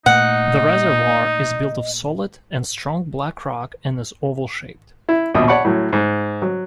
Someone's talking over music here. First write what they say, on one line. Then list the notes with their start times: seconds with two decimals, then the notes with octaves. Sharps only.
The reservoir is built of solid and strong black rock and is oval shaped.
0.06 A#2 A3 A#3 D#4 D#5 F#5
5.09 E4
5.34 A#1 D#2 B2 D#6
5.48 C#5 D5 F#5 A5 B5 C#6
5.65 A2 F#3
5.93 G#2
6.42 F#3